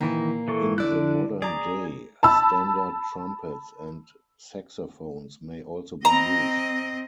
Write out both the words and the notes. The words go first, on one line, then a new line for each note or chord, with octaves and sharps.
In the modern day, standard trumpets and saxophones may also be used.
A#2 D#3 E3 A#3
E3 A4 C#6
D3 E4 D5 F#6
G#4 D5 A#5
A5 B5 E6
C4 D#5 A#5